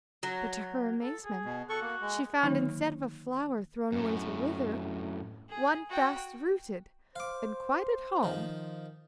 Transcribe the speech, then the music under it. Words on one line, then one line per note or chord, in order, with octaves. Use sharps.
But to her amazement she found, instead of a flower thrown away to wither, one fast rooted and quite at home.
F#3
A4
G#4
B2
F#4 A4 C#6
A#3
G#3
D3 D#3 F#3 A#3 D#4 C#5
F#2 A2
G#4
F#4 G5
C5 F5 D6
D#3 F3